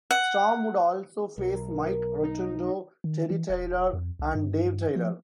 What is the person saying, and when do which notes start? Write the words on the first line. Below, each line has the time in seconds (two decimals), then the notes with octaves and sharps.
Storm would also face Mike Rotundo, Terry Taylor, and Dave Taylor.
0.11 F#5
1.38 B1 A#4
2.23 D#4
3.04 D#3
3.30 E3
3.49 E1
3.93 F2
4.19 C2
4.35 G2
4.96 F3